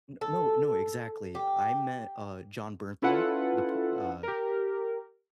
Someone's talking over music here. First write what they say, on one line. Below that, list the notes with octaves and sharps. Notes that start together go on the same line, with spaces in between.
N no, no exactly, I met, uh, Jon Bernthal, the p Uh,
A4
G4
C#4 E4 F4 A4 B4 F#5
G4 A#4